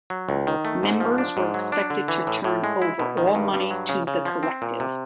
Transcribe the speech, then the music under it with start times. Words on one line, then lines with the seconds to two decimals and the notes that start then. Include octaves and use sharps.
Members were expected to turn over all money to the collective.
0.10 F#3
0.29 C#2
0.47 D#3
0.65 A3
0.83 G#2
1.00 F3
1.18 D4
1.37 G#2
1.54 F#3
1.72 D4
1.90 D3
2.08 E3
2.27 A2
2.44 A2
2.64 G#3
2.82 E4
2.99 B2
3.17 D#3
3.35 G2
3.53 G2
3.71 F#3
3.89 C#3
4.07 C#3
4.25 F3
4.43 C4
4.62 A#2
4.80 C3